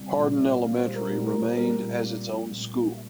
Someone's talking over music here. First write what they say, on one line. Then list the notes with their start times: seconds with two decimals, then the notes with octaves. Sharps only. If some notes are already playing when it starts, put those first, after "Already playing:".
Hardin Elementary remained as its own school.
Already playing: C2 G3
0.17 A#2
0.40 A#2
0.63 A#2 F5
0.79 C5
0.87 G3
0.95 A#4
1.10 A#2 G4
1.27 A#4
1.33 A#2
1.42 C5
1.57 G3 A#4
1.80 A#2
2.04 A#3
2.28 A#1
2.51 A#2
2.74 A#3